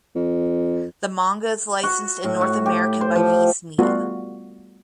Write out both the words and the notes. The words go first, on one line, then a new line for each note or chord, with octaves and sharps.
The manga is licensed in North America by Viz Media.
F2
F#4
A2
F#4
G4
C5
F3
G3 A3 B3 F4 F#4